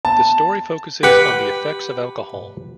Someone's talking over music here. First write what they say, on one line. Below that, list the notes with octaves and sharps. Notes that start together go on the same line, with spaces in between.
The story focuses on the effects of alcohol.
A5
G4 B4 F#5